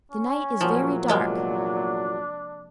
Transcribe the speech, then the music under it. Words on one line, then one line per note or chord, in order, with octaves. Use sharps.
"The night is very dark."
C#4
E2 A#2 F3 F#3
C3 G#3 A#3 D4